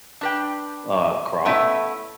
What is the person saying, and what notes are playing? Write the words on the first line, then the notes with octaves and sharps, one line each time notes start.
uh, crop,
D4 B4 G5
A3 B3 C#4 E4 B4 E5